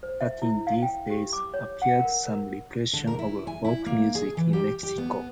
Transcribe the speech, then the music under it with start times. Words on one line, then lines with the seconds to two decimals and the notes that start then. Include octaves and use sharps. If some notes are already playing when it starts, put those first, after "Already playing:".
But in these days appeared some repression of rock music in Mexico.
0.03 C5
0.21 E5
0.42 E4
0.67 F5
0.83 G5
1.10 G4
1.33 D6
1.54 C#5
1.82 F#5
1.99 A#4
2.27 A#4
2.93 D3
3.07 A#4
3.19 E4
3.47 G#5
3.65 E4
3.86 A#3
4.15 G#4
4.37 E3
4.53 G4
4.83 G4
4.98 B3